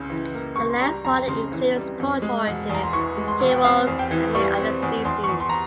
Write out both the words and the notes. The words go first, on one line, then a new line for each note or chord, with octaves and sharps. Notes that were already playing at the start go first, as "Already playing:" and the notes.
The land fauna includes tortoises, herons and many other species.
Already playing: C#2 C#3
E3
A#3
C#2 C#6
C6
G3 A#5
F2 A#5
C#3 C6
E3
G3
F2
G#3
E1
E2
A#5
C6
E3 C#6
G#3
C6
E1
G5
C4 F5
E2
G5
E3
G3 C#6
C4
E2
E2 C6
E2 C#6
C6
A#5